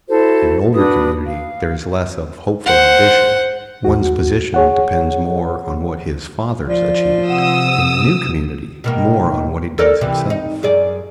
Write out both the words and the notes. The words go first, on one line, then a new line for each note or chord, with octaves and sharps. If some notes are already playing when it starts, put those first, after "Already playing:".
In an older community there is less of hopeful ambition; one's position depends more on what his fathers achieved; in the new community, more on what he does himself.
E4 F#4 A4 C5
D4 F#4 B4 D#6
F5
C5 F#5
D#2 F#4
G#4 C#5 F#5
F3 D5
C3 F#5 D#6 E6
B2 D#3 A#3
A4 A#4 D5
C3 E3
D#4
F#2 G#4 D5